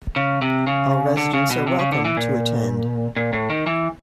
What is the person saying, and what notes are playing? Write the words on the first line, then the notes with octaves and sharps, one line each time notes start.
All residents are welcome to attend.
C#3
C3
C#3
D3
C#3
B2
C3
C#3
D3
E3
A#2
A#2
A2
D#3
E3